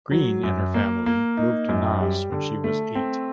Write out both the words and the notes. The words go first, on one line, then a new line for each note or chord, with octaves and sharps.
Greene and her family moved to Naas when she was eight.
F#3
F#2
A#3
A#3
D#4
F#2
G3
D3
A3
C4